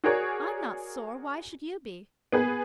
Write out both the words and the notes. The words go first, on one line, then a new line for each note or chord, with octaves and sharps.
I'm not sore, why should you be?
F#4 G#4 A#4 C#5 D5
B3 G#4 B4